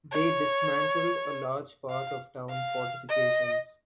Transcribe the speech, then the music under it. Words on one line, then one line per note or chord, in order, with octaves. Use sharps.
They dismantled a large part of town fortifications.
C#5
F5
F5
D#5